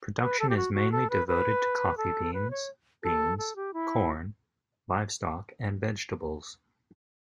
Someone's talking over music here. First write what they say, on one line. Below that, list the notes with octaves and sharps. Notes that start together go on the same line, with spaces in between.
Production is mainly devoted to coffee beans, beans, corn, livestock, and vegetables.
B4
A4
G4
F#4
F#4
A4
B4
B4
A4
B4
C#5
A4
A4
G4
E4